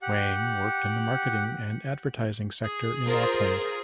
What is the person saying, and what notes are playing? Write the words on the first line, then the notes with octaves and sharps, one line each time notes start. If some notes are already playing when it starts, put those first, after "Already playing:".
Wang worked in the marketing and advertising sector in Auckland.
G4 F#5
G#4
F4 A#4 C5